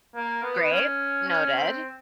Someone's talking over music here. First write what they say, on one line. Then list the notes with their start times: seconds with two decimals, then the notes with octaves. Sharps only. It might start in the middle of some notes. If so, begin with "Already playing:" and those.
Great. Noted.
0.15 A#3
0.43 B3
0.71 C#4
1.28 C#4
1.57 C4